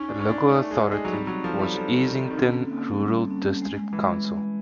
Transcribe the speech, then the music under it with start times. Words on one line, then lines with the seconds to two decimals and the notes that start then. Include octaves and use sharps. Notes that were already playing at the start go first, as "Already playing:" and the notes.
The local authority was Easington Rural District Council.
Already playing: C#4 D#4
0.09 D4
0.19 C#4 D#4
0.29 D4
0.50 A3 D#4
0.71 G#3
0.81 D#4
0.92 G#3
1.05 F#3
1.12 G3 C4
1.27 F#3
1.44 F3 A4
1.59 G3
1.74 F3 A4
2.06 D#3 C4
2.30 D#3
2.37 D3 C#4
2.68 A#3
2.99 G3
3.31 C#4
3.62 G#3
3.93 E3 G#3
4.24 G#3